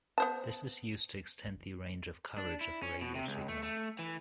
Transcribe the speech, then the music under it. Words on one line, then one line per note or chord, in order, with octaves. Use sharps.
This is used to extend the range of coverage of a radio signal.
B3 C5 A5
D4
E4
C#4
B2
C3
C#2
A3
A3
E3